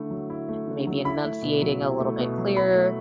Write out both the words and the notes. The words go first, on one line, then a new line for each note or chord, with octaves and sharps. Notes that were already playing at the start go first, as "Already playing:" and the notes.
maybe enunciating a little bit clearer,
Already playing: D3 A3 E4
F#3
E4
A3
D3
F#3
E4 B5
A3
B2
F#3
E4
A3
B2
F#3
E4 B5
A3